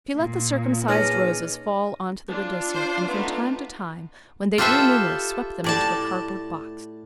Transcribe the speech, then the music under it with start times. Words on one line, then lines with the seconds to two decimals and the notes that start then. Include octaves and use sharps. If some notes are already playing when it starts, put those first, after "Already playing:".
She let the circumcised roses fall on to the window-seat, and from time to time, when they grew numerous, swept them into a cardboard box.
0.16 A#2
0.88 C#4 D#4 G#4 B4 F6 A#6 D#7
2.29 D4 F4
2.73 C5 D5
3.05 A3 B3 D#4
4.58 F4 G4 A4 B4 C5 E5
5.64 A2 D5 A5